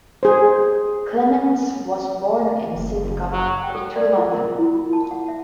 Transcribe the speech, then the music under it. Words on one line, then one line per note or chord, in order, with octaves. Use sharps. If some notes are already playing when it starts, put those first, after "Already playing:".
Clements was born in Sidcup, Greater London.
G#4 C5
F#1
F#3
G5
A4
D5
F4
A#4
E4
F4
A5
F#5
E5